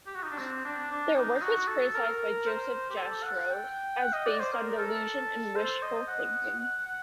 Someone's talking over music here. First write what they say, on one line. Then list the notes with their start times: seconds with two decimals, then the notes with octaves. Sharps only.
Their work was criticized by Joseph Jastrow as based on delusion and wishful thinking.
0.06 G4
0.15 F#4
0.23 D#4
0.30 D4
0.38 C4
0.65 D4
0.91 D4
1.16 D#4
1.42 F#4
1.68 A4
1.94 A#4
2.46 C5
2.90 G4
2.97 A4
3.23 F#5
3.50 G5
4.01 F#5
4.13 D#5
4.26 D5
4.40 C5
4.53 A#4
4.78 A4
5.56 C5
5.83 D#5
6.08 F#5
6.59 F#5
6.86 F#5